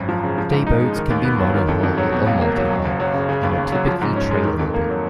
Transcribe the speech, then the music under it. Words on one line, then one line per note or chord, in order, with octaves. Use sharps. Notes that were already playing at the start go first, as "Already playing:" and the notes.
Dayboats can be monohull or multihull, and are typically trailer-able.
Already playing: G#1 F#2
F3
C#3
F3
G#2
D#4
G#3
D#3
D#2
B3
F#3
D#3
F2
F2
F#3
B2
C#2
A#3
F#3
F#2
F#1
F#3
C#3
C#3
D#2
D#2
F#3
F3
G#2
C#4
G#3
D#3
F2
A#3
F#3